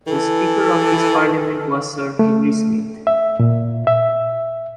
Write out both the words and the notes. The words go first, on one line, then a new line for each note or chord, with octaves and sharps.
The Speaker of this parliament was Sir Henry Smith.
E3 A4
A3
E5
A#2
E5